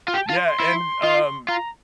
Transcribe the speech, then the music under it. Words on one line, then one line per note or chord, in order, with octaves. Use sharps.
yeah, and, um
F4
G4 G5
F4 A5
C6
C6
E4
F4
F4 A#5